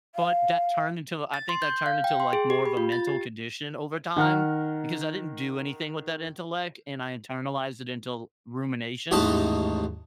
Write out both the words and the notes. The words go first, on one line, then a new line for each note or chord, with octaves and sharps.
But that turned into I think that turned into like more of a mental condition over time, because I didn't do anything with that intellect and I internalized it until rumination.
F5
A6
C6
G6
F5
G5
C6
G#4
G4
B5
F4
A6
G4
D#3 F#5 A#5 F6
A1 D#2 G#2 D#4 D#5 A5